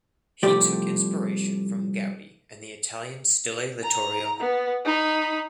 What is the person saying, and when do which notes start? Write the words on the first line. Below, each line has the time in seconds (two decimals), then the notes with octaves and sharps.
He took inspiration from Gaudi and the Italian Stile Littorio.
0.43 C2 F3 A3 G4 D5
3.83 A#5
4.40 B3
4.84 D#4 B5